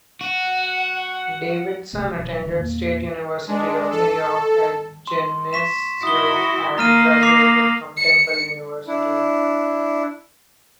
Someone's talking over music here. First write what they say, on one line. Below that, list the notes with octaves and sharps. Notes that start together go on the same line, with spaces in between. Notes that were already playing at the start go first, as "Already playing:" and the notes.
Davidson attended State University of New York at Geneseo and graduated from Temple University.
F#4 F#5
D1 B1 C3 A3
D1 B2 F#3
D1 D#3
E2 A#2 A#3
G#3 D4
A4
C6
C#6 B6 E7
E4 F#4 D#6 G7
A#3 A#5 F6 D#7
D6 C7 F7
C#7
D4 E4